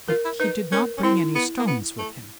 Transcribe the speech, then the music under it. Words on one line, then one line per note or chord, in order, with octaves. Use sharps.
But he did not bring any stones with him.
F4 A#4
E4
D#4 B4
C#4 A#4
C#4
C4 E4
B3
A#3
B3
A3